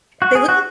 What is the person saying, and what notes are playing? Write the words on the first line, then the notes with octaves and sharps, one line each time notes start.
They look like
F#4
G#4
F#4